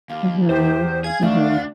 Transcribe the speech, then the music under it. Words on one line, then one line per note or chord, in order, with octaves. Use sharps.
Mhm. Mhm.
D#2 F5
E2 G4 C5
G#4 F5 G#6
D2 A3 D4 F5